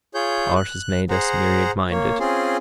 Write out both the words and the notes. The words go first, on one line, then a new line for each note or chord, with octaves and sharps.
Art has made us myriad-minded.
F4 G#4 C#5 G6
F#6
G#4 C5 F#5 A#5
A#3 C#5
C4 C#4 F4 G#4 C6